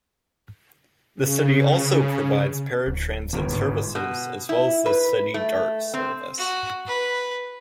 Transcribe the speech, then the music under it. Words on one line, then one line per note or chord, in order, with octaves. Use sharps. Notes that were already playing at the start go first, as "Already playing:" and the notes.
The city also provides paratransit services as well as the City Dart Service.
C#3
D1
G1 G2 D#3
G#2 B2
B2
E4
B4
A3
C4
F#4
B4